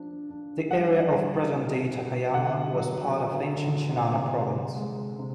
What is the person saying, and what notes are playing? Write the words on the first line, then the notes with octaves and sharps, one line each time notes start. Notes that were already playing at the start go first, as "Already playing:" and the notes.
The area of present-day Takayama was part of ancient Shinano Province.
Already playing: F3 D4
D4
G3 F#5
G3
B2
B2
D3 F#5
F#3
D3
D3
C3
C3
G#3
C3